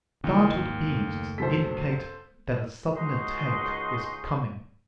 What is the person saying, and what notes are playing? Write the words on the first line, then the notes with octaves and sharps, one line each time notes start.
Startled beasts indicate that a sudden attack is coming.
D#2 C#3 E3
G#1
F#1 A3
A#1 F#2 A4 C5 B6
C#2 G#3 D#4 F#4 C6